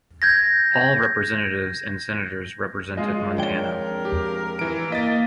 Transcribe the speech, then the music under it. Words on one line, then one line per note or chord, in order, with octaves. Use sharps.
All representatives and senators represented Montana.
G6 G#6 A#6
G#3 F4 D#5
F2 G#3 D4 A#4 C#5 G5
G4
E3 D7
A#3 D#5 A6 B6